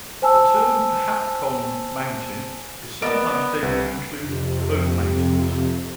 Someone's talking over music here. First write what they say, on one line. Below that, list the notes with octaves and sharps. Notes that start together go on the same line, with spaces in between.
The term "Pohatcong Mountain" is sometimes taken to include both mountains.
C5 G#5 A5 E6
B3 A#4 D5 D#5 A5 D7
C2 B4
F2 C3